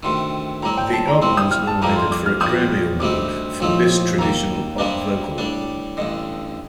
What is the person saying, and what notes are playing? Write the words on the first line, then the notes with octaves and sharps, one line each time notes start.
The album was nominated for a Grammy Award for Best Traditional Pop Vocal Album.
D2 C3 D#3 C6
A2 G3 C4 A#5
G5
A5
A#5
C2 C3 G3 C4 C6
D#6
F6
A5
F2 C3 G3 A#3 A#5
C6
D6
F6
A#1 A#2 G3 D#6
D2 C3 G3 C4 D#4 D6
A#1 A2 F3 C4 D#4
D#2 D#3 A#3 A#5
C3 G3 A#3 D4 D#5
A2 G3 D4
A1 G2 D3 D#5